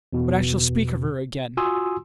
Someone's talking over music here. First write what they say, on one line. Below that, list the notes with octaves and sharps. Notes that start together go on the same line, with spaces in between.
But I shall speak of her again.
E2 B2
F4 F#4 G#5 C6 D#6 E6